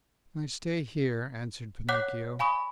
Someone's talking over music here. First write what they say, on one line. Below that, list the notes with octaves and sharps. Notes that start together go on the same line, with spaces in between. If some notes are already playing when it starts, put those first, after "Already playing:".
"I stay here," answered Pinocchio.
C#5 F#5 D6 F#6 B6
F5 G#5 B5 C#6 D#6